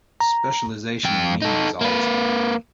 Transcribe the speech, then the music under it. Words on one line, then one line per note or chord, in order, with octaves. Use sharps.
Specialization of meaning is always going on.
A#5
F2 G5
D#4 A4
A#3 B4